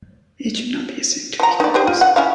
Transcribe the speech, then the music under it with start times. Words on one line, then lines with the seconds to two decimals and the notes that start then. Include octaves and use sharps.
It should not be assumed to be conclusive.
1.40 F3 A#5
1.60 D#4 D5
1.74 G4 C5 D5
1.87 F4
2.01 F#5
2.16 C#4 E4 F5